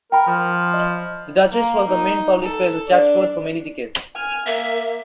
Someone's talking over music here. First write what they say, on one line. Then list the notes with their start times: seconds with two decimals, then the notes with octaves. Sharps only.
The Duchess was the main public face of Chatsworth for many decades.
0.12 A#4 G5 B5
0.27 F3
0.74 D#5
1.53 A#3
1.88 D#4
2.43 A4
2.88 D4
4.15 G#5 F6
4.46 A#3 E5